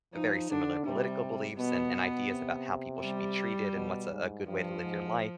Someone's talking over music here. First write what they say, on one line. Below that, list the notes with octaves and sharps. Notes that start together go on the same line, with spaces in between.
very similar political beliefs and and ideas about how people should be treated and what's a a good way to live your life,
F3 D#4
D3 D4
C3 G3
B2 B3
B2
C3
G3
B2
G#2
G2 F3
G#2